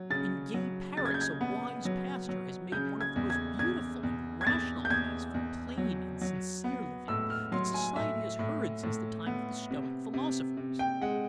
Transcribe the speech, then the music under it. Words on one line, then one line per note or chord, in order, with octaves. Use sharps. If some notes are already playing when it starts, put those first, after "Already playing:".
In gay Paris, a wise pastor has made one of the most beautiful and rational pleas for plain and sincere living that society has heard since the time of the stoic philosophers.
Already playing: F#3
C#3 A6
F#3
C#3 A6
G#6
G6
G#6
B3
F#3
F#3
C#3 G6
G#6
E2
G#6
E2 G#6
E2
G#6
E2 A6
G6
E2 G#6
E2
F#3
F#3
B3
A2 E6
F6
F#3 C6
G#5
A2 E5
A2
A2
B3
C3
C3
C3
G5
G#3 F#5